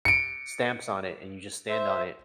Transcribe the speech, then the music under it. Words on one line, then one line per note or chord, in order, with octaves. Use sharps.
stamps on it, and you just stand on it,
C#7 D7
C5 E5